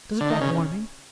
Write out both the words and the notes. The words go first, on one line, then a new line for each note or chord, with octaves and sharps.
Does it want warming?
D3
D#3
C#3